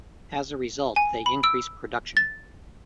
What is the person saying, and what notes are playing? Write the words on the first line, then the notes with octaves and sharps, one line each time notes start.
As a result, they increase production.
G#5
B5
E6 D7
A6